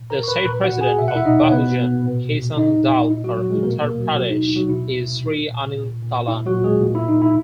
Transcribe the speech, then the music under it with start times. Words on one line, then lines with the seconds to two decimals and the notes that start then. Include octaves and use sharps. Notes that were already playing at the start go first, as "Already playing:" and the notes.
The state president of Bahujan Kisan Dal for Uttar Pradesh is Sri Anil Talan.
Already playing: A#2
0.10 A#4 A#5
0.19 A#2 C#6
0.28 B4 B5
0.45 A#2 B4 B5
0.64 F#4 F#5
0.72 A#2
0.81 G#4 G#5
0.99 B2 E5
1.08 F#5
1.15 E4 E5
1.25 B2 D#4 D#5
1.41 C#5
1.51 B2 B3 B4
1.78 B2
2.04 A#2
2.31 A#2
2.57 A#2 D#4 D#5
2.84 A#2
3.10 A#2 E4
3.24 F#3 F#4
3.36 A#2 F#3 F#4
3.50 G#3 G#4
3.63 B2 A#3 A#4
3.81 A#3 A#4
3.91 B2
3.98 F#3 F#4
4.16 B2 F#3 F#4
4.30 D#4
4.43 B2 E4
4.56 F#3 F#4
4.69 B2 E4
4.95 B2
5.22 A#2
5.49 A#2
5.76 A#2
6.02 A#2
6.28 A#2 E4
6.46 F#3 F#4
6.54 A#2
6.64 G#3 G#4
6.81 A#2
6.95 E4
7.08 A#2 D#4
7.22 E4